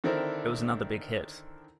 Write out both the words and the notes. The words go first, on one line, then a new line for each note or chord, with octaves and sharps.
It was another big hit.
D3 D#3 C4 D4 E4 A#4